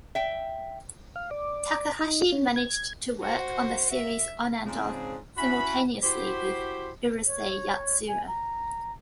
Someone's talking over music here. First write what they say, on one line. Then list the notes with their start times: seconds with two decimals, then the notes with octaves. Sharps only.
Takahashi managed to work on the series on and off simultaneously with "Urusei Yatsura".
0.15 E5 G5
1.16 F5
1.31 D5
1.99 D#4
2.32 C#4
2.56 G#6
3.22 F#4 C5
3.93 E5
4.64 G#2 C#3 F3 C4 D4 G#4
5.37 C#4 E4 F#4 B5
6.02 E4 F#4 G4 C5
7.26 C#5
8.07 G#5
8.27 A#5